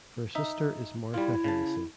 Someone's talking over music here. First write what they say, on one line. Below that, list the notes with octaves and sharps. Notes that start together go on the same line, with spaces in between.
Her sister is Martha Hennessy.
D#4 E5
G3 E4 F4
C#3 A5